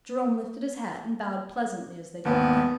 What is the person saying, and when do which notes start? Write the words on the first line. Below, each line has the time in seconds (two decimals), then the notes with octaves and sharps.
Jerome lifted his hat and bowed pleasantly as they drove past.
2.25 G#1 D#2 B3